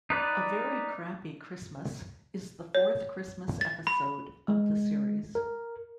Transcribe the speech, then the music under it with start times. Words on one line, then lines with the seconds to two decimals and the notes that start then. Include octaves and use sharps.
"A Very Crappy Christmas" is the fourth Christmas episode of the series.
0.10 D#4 B4 D5
2.75 C#5
3.61 A6
3.87 B5
4.48 G#3
5.35 A#4